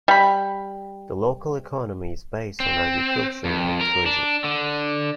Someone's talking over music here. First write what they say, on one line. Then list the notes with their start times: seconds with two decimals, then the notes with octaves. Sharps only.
The local economy is based on agriculture and tourism.
0.08 G3 B5
2.60 C4
3.45 F2
3.81 A#4
4.06 D4
4.44 D3